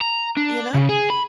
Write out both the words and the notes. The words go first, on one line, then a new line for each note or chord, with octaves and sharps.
you know?
A#5
D4
C#3
G#4
B5